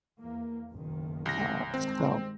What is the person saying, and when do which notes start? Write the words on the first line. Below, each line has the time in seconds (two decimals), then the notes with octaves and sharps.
uh, so
0.18 E2 A#3
0.72 F#1 B1 D#3
1.26 C2 A#6
1.74 G2 D#3 G#3 C4